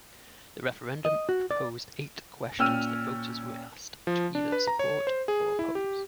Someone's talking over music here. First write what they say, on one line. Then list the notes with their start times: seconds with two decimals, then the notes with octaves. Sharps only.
The referendum proposed eight questions that voters were asked to either support or oppose.
1.05 D#5
1.29 F#4
1.51 D5
2.59 A#2 C#4 G5 E6 F6 D#7
4.07 F3
4.35 D4
4.52 B4
4.67 A#5
4.79 C#5
5.07 C5
5.28 G#4
5.59 E4
5.75 G4